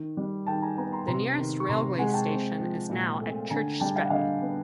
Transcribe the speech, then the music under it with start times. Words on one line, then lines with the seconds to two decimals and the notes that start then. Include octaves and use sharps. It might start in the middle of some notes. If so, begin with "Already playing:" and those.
The nearest railway station is now at Church Stretton.
Already playing: D#3
0.17 G3
0.47 D#3 G5 A5
0.62 G#5 A#5
0.77 B3 G#5 A#5
0.92 A#5 C6
1.08 C3 A#5 C6
1.38 D#3
1.60 C#6
1.68 C3 A#5 C6
1.98 G#3 F#5 G#5
2.13 G5 A5
2.29 C4
2.60 F3
2.89 A#2
3.20 A3
3.50 D3 G#5 A#5
3.80 G3 G5 A5
3.96 F5 G5
4.05 F#5
4.10 D3 D#5 F5
4.42 B3